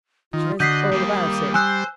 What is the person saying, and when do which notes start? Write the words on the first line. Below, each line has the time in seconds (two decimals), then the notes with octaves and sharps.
She knows all about it.
0.33 D#3 F4
0.60 D3 F#4 D#5 D#6 G6 B6 C7
0.92 D#3 G3 A#3
1.54 C5 G#5 E6 F#6